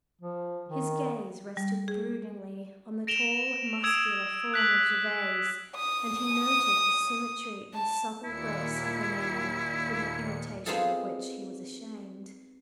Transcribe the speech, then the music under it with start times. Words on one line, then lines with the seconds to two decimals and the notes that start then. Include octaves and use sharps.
His gaze rested broodingly on the tall, muscular form of Gervase, and he noted the symmetry and supple grace of the man with an irritation of which he was ashamed.
0.21 F3
0.68 D#3
1.57 G3
1.88 G#4
3.07 A#6 D7 E7 F7 G7
3.83 D#6 E6 G#6 D7 E7 F7
4.54 F#6 B6 F#7
5.76 D#6
7.74 A5
8.24 D#2 A#2 E4 C#7
10.66 B3 C4 D#4 F4 G#4 A4